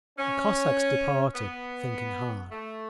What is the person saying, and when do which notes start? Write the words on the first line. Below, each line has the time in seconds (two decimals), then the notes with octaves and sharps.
The Cossacks departed, thinking hard.
0.19 C#4
1.34 B3
2.51 A3